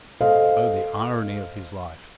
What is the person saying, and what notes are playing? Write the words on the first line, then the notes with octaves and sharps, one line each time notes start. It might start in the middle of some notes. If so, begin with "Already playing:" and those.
Oh, the irony of his life!
A4 C5 D#5 F5